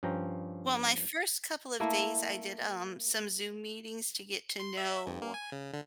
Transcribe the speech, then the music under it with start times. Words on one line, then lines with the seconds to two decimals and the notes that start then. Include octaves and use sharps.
Well, my first couple of days, I did, um, some Zoom meetings to get to know,
0.03 G2 F3 C#4 G5 A#5
1.80 A3 A#3 E4
4.60 C6
4.77 E5
5.07 F2
5.22 A#3
5.34 G#5
5.52 C#3
5.73 D3